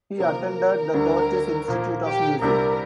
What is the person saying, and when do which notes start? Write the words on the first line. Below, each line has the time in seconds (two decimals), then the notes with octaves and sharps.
He attended the Curtis Institute of Music.
0.19 C3 F3 A#3 A#4
0.57 A#4
0.93 D2 D3 G3 D4
1.68 A#2 F3 A#3
2.05 G4
2.41 C2 C3 G3 D4 A#4